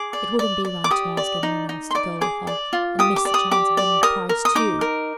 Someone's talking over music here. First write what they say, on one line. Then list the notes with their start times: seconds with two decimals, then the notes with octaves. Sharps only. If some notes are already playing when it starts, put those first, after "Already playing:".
It wouldn't be right to ask any one else to go with her, and miss the chance of winning the prize, too.
Already playing: G#4 D6
0.13 D5
0.39 D5
0.65 D5
0.84 D6
0.91 G4 D#6
1.17 D5
1.43 D#4
1.69 D#4
1.91 C6
1.95 D5 D6
2.21 G#4 D6
2.47 D5
2.73 F4
2.99 G4 D#6
3.16 D6
3.25 D5
3.34 D#6
3.51 G4 D6
3.77 D5
4.03 A#4 D#6
4.29 A#4
4.45 D#6
4.55 D#4 D6
4.81 A#4